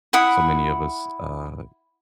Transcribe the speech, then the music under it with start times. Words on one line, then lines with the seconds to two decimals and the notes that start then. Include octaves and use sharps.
so many of us uh,
0.13 E4 F#5 B5 D#6